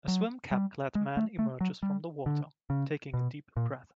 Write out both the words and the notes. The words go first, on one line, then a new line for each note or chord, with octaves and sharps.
A swim capclad man emerges from the water, taking a deep breath.
F#3
G3
G#3
A3
A3
F#3
G3
D3
C#3
B2
A#2